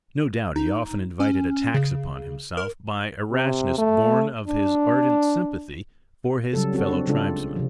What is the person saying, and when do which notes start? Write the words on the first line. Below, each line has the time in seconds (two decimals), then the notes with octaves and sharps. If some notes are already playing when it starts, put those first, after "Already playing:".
No doubt he often invited attacks upon himself by a rashness born of his ardent sympathy for his fellow-tribesmen.
0.56 D#4
1.20 C#4
1.74 C#3
2.57 A#4
3.32 C3
3.78 A3
4.48 D4
6.53 C#3 F#3 G3 A4
6.73 C4 F#4 A4
6.89 C4 D4
7.07 C#3 G#3 D4 F4 A4
7.56 C3 F3